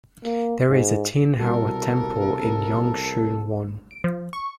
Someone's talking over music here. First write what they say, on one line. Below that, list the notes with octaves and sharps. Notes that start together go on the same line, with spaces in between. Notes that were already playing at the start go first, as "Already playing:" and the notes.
There is a Tin Hau Temple in Yung Shue Wan.
A#3
G#2
C2 B2 G3 F#4 A4 A#4
D7
F3
C#6